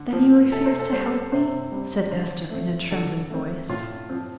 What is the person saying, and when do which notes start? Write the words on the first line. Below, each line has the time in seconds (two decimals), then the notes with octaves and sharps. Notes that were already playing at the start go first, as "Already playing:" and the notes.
"Then you refuse to help me?" said Esther in a trembling voice.
Already playing: D3
0.13 F3 C4
0.52 C3 A4
0.66 C5
0.79 A4
0.92 G3 C4 C5
1.05 A4
1.32 C3 C5
1.72 G3 C4
2.11 D3 C5
2.50 A3 C4
2.91 D3 A4
3.30 A3 C4
3.69 A2 F4
4.09 F3 C4